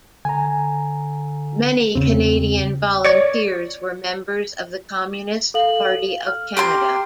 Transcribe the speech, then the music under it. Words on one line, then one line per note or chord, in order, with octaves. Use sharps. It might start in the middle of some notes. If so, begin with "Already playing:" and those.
Many Canadian volunteers were members of the Communist Party of Canada.
D3 G#5 A#5
E2 C#3 C4
C#5 D5 C#6
A4 F5 F#7
F6
G4 A#5 C6